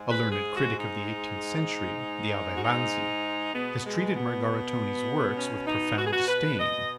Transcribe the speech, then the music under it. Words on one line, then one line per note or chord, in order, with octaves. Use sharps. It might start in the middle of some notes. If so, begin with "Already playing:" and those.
A learned critic of the eighteenth century, the Abbe Lanzi, has treated Margaritone's works with profound disdain.
Already playing: G#2 G#3
B4
G#4
F#4
D#4
F#4
D#4
B2 G#3 B3
G#3
B3
C#4
D#4
F#4
G#4
F#4
B4
D#5